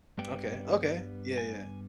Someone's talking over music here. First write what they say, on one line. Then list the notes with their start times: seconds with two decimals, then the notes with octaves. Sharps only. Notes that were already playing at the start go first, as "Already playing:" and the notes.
Okay, okay. Yeah, yeah.
0.18 G2 G3 B3 G5
1.38 G#5